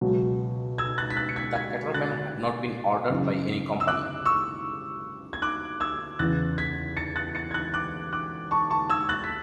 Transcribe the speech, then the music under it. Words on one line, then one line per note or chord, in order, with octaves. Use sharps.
The catamaran had not been ordered by any company.
C#2 B2 F#3
E6 G#6
F#6 A6
B6
F#6 A6
C#7
G#6 B6
G#6 B6
F#6 A6
F#2 C#3 E3
E6
D6 F#6
C#6 E6
G#6
D6 F#6
E6 G#6
E2 C#3 E3 F#6 A6
G#6 B6
A6 C#7
F#6 A6
A6 C#7
G#6
F#6 A6
D6 F#6
D6 F#6
A5 C#6
A5 C#6
E6 G#6
F#6 A6
B6